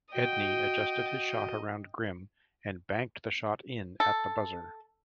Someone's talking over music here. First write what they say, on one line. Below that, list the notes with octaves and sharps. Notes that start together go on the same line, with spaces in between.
Edney adjusted his shot around Grimm, and banked the shot in at the buzzer.
F#4 D#5 G5
A4